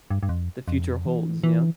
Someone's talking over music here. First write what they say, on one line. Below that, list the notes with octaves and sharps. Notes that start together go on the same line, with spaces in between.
the future holds, you know?
G2
G2
F2
F2
E3
E3